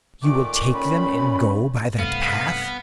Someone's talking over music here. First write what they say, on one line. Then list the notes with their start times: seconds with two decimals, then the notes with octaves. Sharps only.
"You will take them and go by that path?"
0.22 A#2 D#3 A3 D6
0.74 C#4 B5
1.99 G2 C3 A3 B3 F5